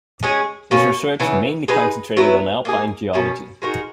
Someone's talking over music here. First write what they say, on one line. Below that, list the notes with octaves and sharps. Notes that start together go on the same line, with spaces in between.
His research mainly concentrated on alpine geology.
G#3 C#4 G#4
B2 A#3 C#4
C#3 E3 B3
G#3 D#4 G#4 B4
F#3 B3 E4 B4
A#3 D#4 G#4
B2 A#3 C#4
G#3 D#4 F#4 A#4